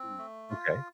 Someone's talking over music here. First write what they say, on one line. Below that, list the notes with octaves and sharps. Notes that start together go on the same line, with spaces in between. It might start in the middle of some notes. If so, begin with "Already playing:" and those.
Mm, okay.
Already playing: C4
A3
F4